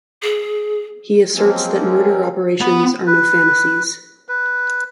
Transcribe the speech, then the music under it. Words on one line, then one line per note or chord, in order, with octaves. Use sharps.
He asserts that murder operations are no fantasies.
G#4
F3 F#3 G#3 A#3 C4 C#4
B3
B4
B4